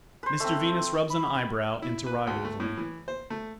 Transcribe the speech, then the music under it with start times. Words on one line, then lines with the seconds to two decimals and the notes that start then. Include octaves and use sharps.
Mr Venus rubs an eyebrow, interrogatively.
0.23 B4 C5
0.40 A3 C4
1.10 B5
1.82 E4
2.06 B4
2.27 D2
2.45 A3
2.60 A2
2.77 E3
3.08 C5
3.30 A3